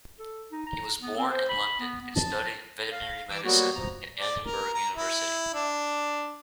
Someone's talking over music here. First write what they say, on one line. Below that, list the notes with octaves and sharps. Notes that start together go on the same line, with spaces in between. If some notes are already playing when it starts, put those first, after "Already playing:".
He was born in London and studied veterinary medicine at Edinburgh University.
A4
D#4
A#5
B3
C4
C5
B5
B3
B3
A5
F5
E3 D6 E6
F#3 G3 A#3 B3 F#4
F3 A#5
D5
A#4
A#5
E4
D4